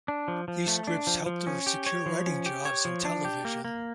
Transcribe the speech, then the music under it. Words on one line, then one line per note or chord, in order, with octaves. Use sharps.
These scripts helped her secure writing jobs in television.
D4
F3
F3
A3
D4
F3
F3
C#4
G4
C#5
F3
C#4
G4
C#5
F3
D4
G4
A#3
A#3